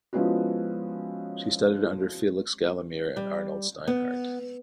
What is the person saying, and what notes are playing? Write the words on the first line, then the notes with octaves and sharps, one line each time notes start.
She studied under Felix Galimir and Arnold Steinhardt.
F3 G#3 B3 C#4 E4 F#4
G3
B3